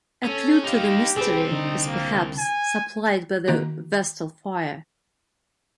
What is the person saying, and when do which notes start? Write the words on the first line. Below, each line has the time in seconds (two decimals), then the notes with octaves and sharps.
A clue to the mystery is perhaps supplied by the Vestal fire.
0.25 C#4 A4
0.64 D#4 G4 F5
1.16 C2 C4 G#4 B4
1.51 D3 D#4
1.86 A#3
2.38 G#5
3.48 D#3 A#3 F#4